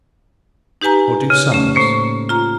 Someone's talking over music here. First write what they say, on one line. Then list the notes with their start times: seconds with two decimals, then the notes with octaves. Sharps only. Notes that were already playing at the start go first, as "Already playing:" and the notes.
"Nor do sums?"
0.81 D#4 G4 B4 G#5 A#5
1.30 C#3
1.52 A3 C#4
1.75 A2 A#3 C5
2.29 F4 A#5